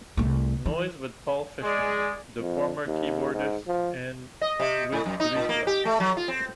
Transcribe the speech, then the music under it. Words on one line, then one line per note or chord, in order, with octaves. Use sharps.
Noise with Paul Fishman, the former keyboardist with Re-Flex.
C2 A3
E3
G#3 G#4 D5
F2
D#2
G#2
F3
D#5
C3
A2
F#2
D#4
A#2
A#3
G4
A3
F#3
F4
C4